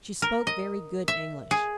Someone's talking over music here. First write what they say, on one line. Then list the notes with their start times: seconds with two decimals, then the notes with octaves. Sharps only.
She spoke very good English.
0.22 A#4
0.47 D#5
1.08 E5
1.51 G#4